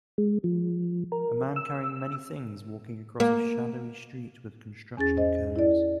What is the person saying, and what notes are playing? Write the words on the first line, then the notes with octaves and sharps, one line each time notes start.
A man carrying many things walking across a shadowy street with construction cones.
G#3
F3
A#4
E6
A#3
E2 C#4 G#4 A6
C5 D#5
E4 D5